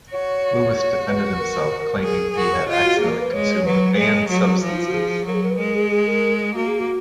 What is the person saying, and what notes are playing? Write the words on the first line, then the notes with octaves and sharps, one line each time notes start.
Lewis defended himself, claiming that he had accidentally consumed the banned substances.
F#4 C#5
F#4
B4
A#4
G#4
F#4 A#4
C#5
F4 D#5
F#4
G#4
A#3
A#4
B4
G#3 C#5
C#5
F#3 B4
G#3 G#4
F#3 F#4
G#4
A#4
F#4
F3
D#4
F4
F#4
G#4
F#3 A#4
G#4
A#4
B4
G#3 A#4
G#4
G#4
A#4
A#3 F#4
G#4
F#4